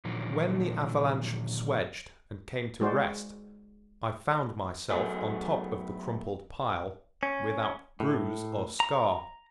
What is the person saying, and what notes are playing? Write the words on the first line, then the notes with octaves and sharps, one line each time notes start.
When the avalanche swedged and came to rest I found myself on top of the crumpled pile without bruise or scar.
A#2 D3 D#3 F3 F#3
G#3 F#4 C5 D5
F#3 A3 B3 G#4
C#4
A2
A#5